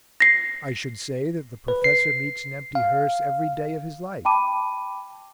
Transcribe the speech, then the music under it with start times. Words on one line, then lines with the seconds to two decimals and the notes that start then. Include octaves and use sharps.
I should say that the professor meets an empty hearse every day of his life.
0.20 A#6 C7
1.68 B4
1.84 C7
2.75 F5
4.25 G5 A5 B5 D6 D#7